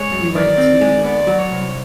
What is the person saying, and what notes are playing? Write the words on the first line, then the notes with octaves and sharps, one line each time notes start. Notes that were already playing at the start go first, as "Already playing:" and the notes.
we went to,
Already playing: G#3 C#5
F#2
D#3 D5
C4
G#3
B3 D5
F#3
C#5
C2